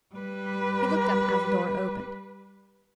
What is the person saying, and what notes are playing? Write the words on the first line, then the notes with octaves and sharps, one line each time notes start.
He looked up as the door opened.
G3 B4